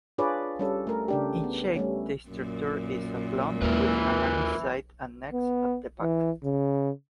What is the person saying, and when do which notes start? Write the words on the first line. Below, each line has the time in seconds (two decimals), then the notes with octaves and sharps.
In shape the structure is oblong, with a many-sided annex at the back.
0.18 D4 F4 G#4 B4 C#5 D5
0.59 G3 C#4 A4
0.87 A3 A#4
1.08 C#3 D4 G4
1.44 B3
1.76 G3 A3 C#4
2.29 F#2 A#2
3.62 D#2 E3 G#3 F4 A#4 B4
5.33 B3
6.01 E3
6.44 C#3